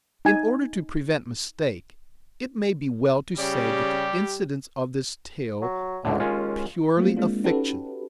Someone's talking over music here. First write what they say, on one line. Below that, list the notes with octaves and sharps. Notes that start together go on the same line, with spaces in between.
In order to prevent mistake, it may be well to say that the incidents of this tale are purely a fiction.
D#4 G#5
C#3 G3 G4 D5
F#3
C#2 A2 D3
D#2 G#3 C#4 F4
F#3 A3 A#3 C4 F4
G#3 A#3 C4 D4 F4
C#4 D#4 F#4 G4 A4 B4